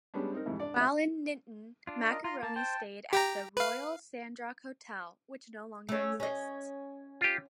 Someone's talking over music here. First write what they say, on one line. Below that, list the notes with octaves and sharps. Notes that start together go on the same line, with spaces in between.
While in Niton, Marconi stayed at the Royal Sandrock Hotel, which no longer exists.
G3 G#3 B3 C#4 D4
C4 D#4 A#4
F2 G#2 C3 E3
D4 D5
G#1 E5
D4 F4
A#4 D#5
F4 A#5 C6
A#3 A5
C5 G5 A5
G4 G5 A#5
B4 F5
A3 C#4
C#4 D#5
F4 G4